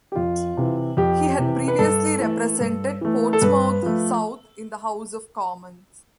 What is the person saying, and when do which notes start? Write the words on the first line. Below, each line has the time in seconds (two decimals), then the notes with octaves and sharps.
He had previously represented Portsmouth South in the House of Commons.
0.12 G4
0.15 F2 F4
0.57 C3 E3
0.97 F2 G4
1.38 C3 E3
1.68 B4
1.79 G2 A4
2.20 E3 A3
2.60 G2
3.01 E3 A3
3.33 A4
3.42 G2 B4
3.83 F3 A3